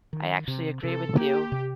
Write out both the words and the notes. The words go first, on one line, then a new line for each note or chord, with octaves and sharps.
I actually agree with you.
D#3
C3
C3 A4
A#3 G4
C3